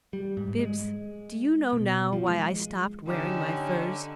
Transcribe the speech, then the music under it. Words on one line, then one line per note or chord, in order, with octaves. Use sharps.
"Bibbs, do you know now why I stopped wearing my furs?"
G3
G#2
G#3
B2
F3
G#3
D3 C#4 D#4 G4